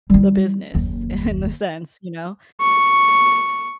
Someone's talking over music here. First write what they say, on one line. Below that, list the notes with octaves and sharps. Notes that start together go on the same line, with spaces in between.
the business in the sense, you know?
G3 E4
F#1 D#2
C#6